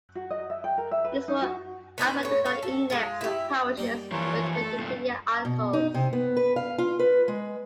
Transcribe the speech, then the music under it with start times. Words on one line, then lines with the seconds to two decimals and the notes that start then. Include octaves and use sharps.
Use for an alphabetical index of parishes with Wikipedia articles.
0.15 F#4
0.31 D#5
0.50 E5
0.64 G5
0.78 A#4
0.91 E5
1.04 B4
1.28 D#4
1.42 F#4
1.98 B3 D4 D#4 C5
2.23 A2 C#5
2.46 C#5 F5
2.63 A4
2.90 G#3 F4
3.21 E4 G4
3.78 G3 A#3 D#4
4.12 E3 F3 F4 A#4 C#5
4.55 A3 A4
4.78 C2 A#2
5.45 B2
5.73 D#4
5.94 C3
6.13 B3
6.37 B4
6.56 F5
6.78 F4
6.99 B4
7.28 G#3